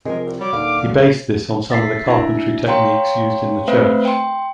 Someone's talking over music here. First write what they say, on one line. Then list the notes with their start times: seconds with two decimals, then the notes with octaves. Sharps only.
He based this on some of the carpentry techniques used in the church.
0.05 C3 D#3 F3 G#3 A#4
0.25 C2
0.40 F#3 G3 D6
0.53 D#1 D#2 D3 D#3 F5
0.87 F#3 G#3
1.70 E5 A6 B6 C7
2.06 D4 E4 E5
2.67 C#5 F5 G5 A#5 C6
3.68 A3 C4 B4 C5 E5 F5
4.05 G5 C6